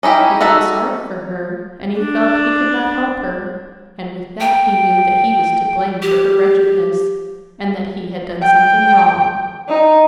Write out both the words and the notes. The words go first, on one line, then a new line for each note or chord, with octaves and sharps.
He felt sorry for her, and he felt he could not help her, and with that he knew that he was to blame for her wretchedness, and that he had done something wrong.
C#4 D#4 E4 G4
D#4 F#4 A4 E5
D4
G5
G4
G5
D#4